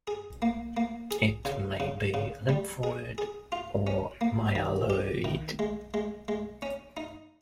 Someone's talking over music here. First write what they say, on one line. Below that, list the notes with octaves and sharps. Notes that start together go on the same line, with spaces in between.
It may be lymphoid or myeloid.
G#4
A#3
A#3
G#4
C#3
C#3
C#3
G3
G#4
G#4
F4
C#4
A#3
D#3
G4
D#3
G#3
G#3
G#3
C#4
D#4